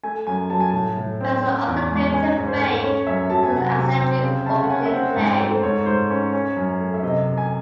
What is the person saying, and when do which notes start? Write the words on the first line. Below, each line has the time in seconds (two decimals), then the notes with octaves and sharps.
Ware's other claim to fame was his eccentric opening play.
0.04 A3 G#5
0.27 F#2 G#5
0.50 F#3 A5
0.60 G#5
0.70 A2 A5
0.97 A2
1.21 C4
1.43 C#4
1.67 E2
1.91 G#3
2.13 C#4 G#5
2.37 G#2
2.48 C5
2.60 A3
2.83 C#4 C#5
3.07 F#2 E5
3.30 F#3 A5
3.43 G#5
3.53 C3 F#5
3.70 G#5
3.76 C3
4.00 C4
4.23 C#3
4.46 C#3 A5
4.63 F#5
4.69 C#4 G#5
4.85 E5
4.93 C4 F#5
5.16 G#2
5.40 A3
5.52 C5
5.63 G#2 C#5
5.86 G#2 C5
6.10 C#4 C#5
6.33 C#4
6.57 F#2
6.80 A3
6.94 E5
7.03 C3 D#5
7.27 C3
7.38 G#5